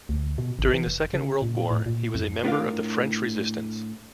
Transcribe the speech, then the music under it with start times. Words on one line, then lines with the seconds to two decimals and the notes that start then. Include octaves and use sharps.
During the Second World War, he was a member of the French Resistance.
0.09 D2
0.38 B2
0.59 G#1
0.73 E3
0.87 F1
1.14 C#3
1.42 A#2
1.71 A2
1.86 A#2
2.15 F2
2.44 A2 B3 D4 F4 A#4 F5